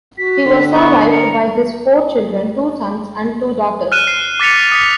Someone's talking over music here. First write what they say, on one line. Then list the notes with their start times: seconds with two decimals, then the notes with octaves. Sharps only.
He was survived by his four children: two sons and two daughters.
0.18 F#4 B6
0.46 D3 D4
0.73 B3 C#6
1.12 A#4 C#7
3.92 F6 F#6 D#7 E7
4.07 C7
4.40 D6 A6 B6 C#7 F7
4.72 D#6 B6